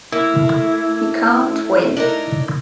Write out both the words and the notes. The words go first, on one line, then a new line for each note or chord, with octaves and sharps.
You can't win.
A3 A#3 E4
D4 D#4 A#4